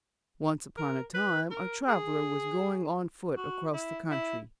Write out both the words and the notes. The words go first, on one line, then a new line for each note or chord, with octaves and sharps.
Once upon a time, a traveler was going on foot across the country.
A#4
B4
A#4
G#4
F#4
E4
E4